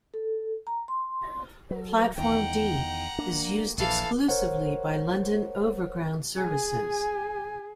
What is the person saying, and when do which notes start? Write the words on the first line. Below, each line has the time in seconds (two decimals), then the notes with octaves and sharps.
Platform D is used exclusively by London Overground services.
0.14 A4
0.67 A#5
0.88 C6
1.71 F#3
2.18 E2 D#3 F#5 G5 A#5
3.19 A#3 D4
3.78 A#1 E3 A4 F5
4.28 A#4 C5 C#5 F#5
6.38 G#4 G#5